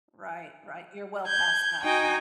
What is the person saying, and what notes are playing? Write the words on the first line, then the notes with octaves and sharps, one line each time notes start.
Right, right, you're well past that.
G6 G#6
D#4 F#4 G5 G#5